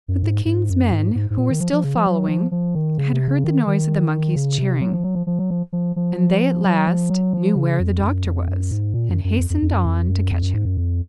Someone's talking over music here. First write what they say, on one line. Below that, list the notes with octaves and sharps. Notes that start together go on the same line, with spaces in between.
But the King's men, who were still following, had heard the noise of the monkeys cheering; and they at last knew where the Doctor was, and hastened on to catch him.
F#2
G#2
G#2
F#2
G#2
G#2
G#2
A#2
D#3
F3
F3
C#3
F3
F#3
F3
F3
D#3
C#3
C3
C#3
D#3
D#3
C#3
C3
F#3
F3
F#3
F3
F3
F#3
F3
F3
F3
F#3
F3
F#3
F3
C#3
F2
F#2
F2
F#2
G#2
A#2
F#2
F#2
F2
F2
F2
F#2
F2
F#2
F2
F#2
G#2
F#2
F2